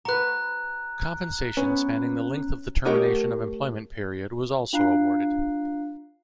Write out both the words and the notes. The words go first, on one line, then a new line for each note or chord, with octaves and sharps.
Compensation spanning the length of the termination of employment period was also awarded.
F#4 B4 A#5 F#6
B3 C#4
A3 G4 A#4 C#5 D#5 F#5
D4 F4 F5 A#5 F#6 C7